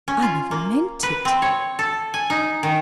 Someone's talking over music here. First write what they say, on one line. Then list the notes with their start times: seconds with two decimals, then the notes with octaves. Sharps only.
I never meant it!
0.08 C#4
0.22 F4
0.51 A#3
1.03 B4
1.25 C4
1.42 C#5
1.79 A4
2.14 G#5
2.30 D#4
2.63 D#3